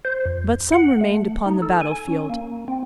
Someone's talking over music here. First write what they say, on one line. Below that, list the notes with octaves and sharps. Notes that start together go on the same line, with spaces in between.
But some remained upon the battlefield.
C5
F2
F#5
A3
D#4
A4
G#5
C#4
A#3
C4